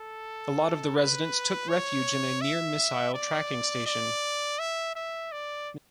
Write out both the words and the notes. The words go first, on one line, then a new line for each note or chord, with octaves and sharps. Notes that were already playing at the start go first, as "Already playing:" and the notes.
A lot of the residents took refuge in a near missile tracking station.
Already playing: A4
B4
C#5
E5
D5
D5
E5
E5
D5